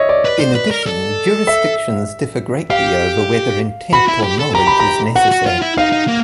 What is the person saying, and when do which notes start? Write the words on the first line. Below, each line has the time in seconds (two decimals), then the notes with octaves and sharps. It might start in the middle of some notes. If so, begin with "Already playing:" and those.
In addition, jurisdictions differ greatly over whether intent or knowledge is necessary.
Already playing: C#5 D#5 E5
0.09 D5
0.25 B4
0.40 C5
0.55 B4
0.71 A#4
0.86 A4
1.47 E5
2.70 G4 F5
3.93 F#4 B5
4.08 E4
4.24 G4
4.39 A4
4.55 G4 A#5
4.67 B5
4.80 A#5
5.16 F#4 F#5
5.32 F#4
5.46 F4
5.62 E4
5.77 D#4 F5
5.92 D#4
6.08 A#3